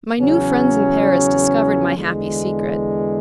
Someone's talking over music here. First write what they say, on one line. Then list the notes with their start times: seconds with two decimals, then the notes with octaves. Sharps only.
My new friends in Paris discovered my happy secret.
0.20 E2 C#3 F#3 C#4
1.96 E2 D3 G#3